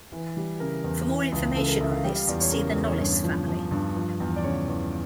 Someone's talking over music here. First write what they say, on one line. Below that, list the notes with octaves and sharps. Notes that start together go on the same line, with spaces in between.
For more information on this, see the Knollys family.
E3
G3
C#3 A#4
E2
E3
C#2
C#3 A4
A#4
C#2 E5
F5
G3 G5
F5
E2 D5
C#5
C#3 A#4
A4
E2
C#5
G2 C#5
F3
F3
G2
F3
E2
D5
C#3 C#5
E2